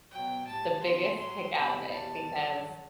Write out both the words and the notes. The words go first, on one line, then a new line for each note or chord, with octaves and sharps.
the biggest kick out of it because,
B2 F#3 G5
A2 G3 A5
B2 G3 C6
A2 F#3 C6
E2 C3 G3 B5
E2 B2 G3 A5
G2 F#3